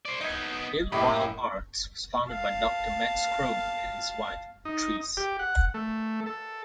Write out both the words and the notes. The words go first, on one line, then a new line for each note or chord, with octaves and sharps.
Idyllwild Arts was founded by Doctor Max Krone and his wife, Beatrice.
C5 D5
B3 D#4 D#5 G#6
F#2 A2 A#3 E4 G4 D#5 B5
F5 A5
D#4
G4
F#5
A3
A4